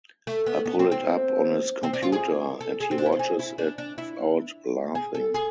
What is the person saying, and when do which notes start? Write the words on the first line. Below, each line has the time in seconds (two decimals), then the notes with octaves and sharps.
I pull it up on his computer and he watches it without laughing.
0.27 A3
0.46 B3
0.66 B3
0.79 C4
0.92 C4
1.83 C4
1.93 D4
2.02 F4
2.12 G#4
2.61 A4
2.80 G#4
2.91 C4
2.98 D4
3.06 E4
3.12 F4
3.19 G#4
3.39 E4
3.58 D4
3.78 D4
3.98 E4
4.95 G#4
5.15 A4
5.34 G#4